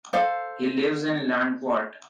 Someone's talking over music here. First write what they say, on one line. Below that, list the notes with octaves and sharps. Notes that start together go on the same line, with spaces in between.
He lives in Landquart.
A4 C5 F5